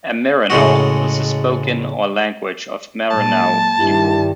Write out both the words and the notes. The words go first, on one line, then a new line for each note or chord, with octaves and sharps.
A "Meranaw" is a spoken or language of Maranao people.
A2 C#3 G#3 F#4
A#2 F#3 G#3 A5
G2 D#3 D4 E4 G4